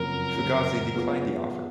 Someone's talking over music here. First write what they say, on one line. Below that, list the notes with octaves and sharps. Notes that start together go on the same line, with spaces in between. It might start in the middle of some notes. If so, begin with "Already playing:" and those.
Fugazi declined the offer.
Already playing: F#1 F2 C#3 F#3 A#4
F#1 F2 C#3 F#3
F#3 B3 F4 G#4